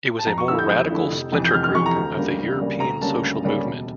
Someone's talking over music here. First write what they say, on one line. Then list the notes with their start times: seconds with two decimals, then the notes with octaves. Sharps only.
It was a more radical splinter group of the European Social Movement.
0.19 A5
0.26 F2 A#5
0.38 C#6
0.48 D3 A3 E4 E6
0.59 G6
0.69 F2 G6
0.90 D3 A3 E4
1.11 F1
1.32 F2 E3
1.45 G6
1.54 F1 F6
1.64 F6
1.74 F2 E3 C#6
1.86 A#5
1.96 D2
2.17 C#3 G3 A#3 D4
2.38 D2
2.59 C#3 G3 A#3 D4
2.80 D2 A#5
3.01 C#3 G3 A#3 C#4 A5
3.23 D2
3.44 C#3 G3 A#3 C#4
3.65 E1